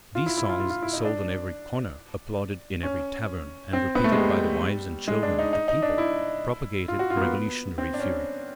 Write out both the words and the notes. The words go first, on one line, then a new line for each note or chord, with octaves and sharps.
These songs, sold on every corner, applauded in every tavern, and repeated by the wives and children of the people, propagated revolutionary fury.
F4
E4
E4
F4
F4
F4
E4
D#4
D4
C#4
C4
B3
A3
G#3
G3
G#3
D4
D#4
D#4
D#4
D4
E4
F4
F#4
F4
A#3
B3
C4
D4
C#4